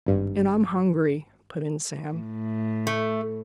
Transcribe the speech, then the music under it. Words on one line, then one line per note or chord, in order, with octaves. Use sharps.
"And I'm hungry," put in Sam.
G#1 G2
A2
A3